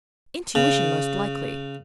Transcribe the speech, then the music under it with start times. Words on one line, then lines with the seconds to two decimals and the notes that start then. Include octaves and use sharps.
'Intuition, most likely.'
0.55 C#3